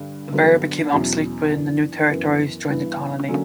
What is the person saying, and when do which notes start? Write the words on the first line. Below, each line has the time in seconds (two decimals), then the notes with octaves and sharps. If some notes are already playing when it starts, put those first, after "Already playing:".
The barrier became obsolete when the New Territories joined the colony.
Already playing: G2 D3 G3
0.33 G2 D3 F#3 B3
0.92 E2 B2 F#3 C#4 E4
1.51 F#2 E3 B3 D4
2.10 F#2 E3 B3
2.69 G2 E3 B3 E4
3.28 D3 F#3 A#3 C#4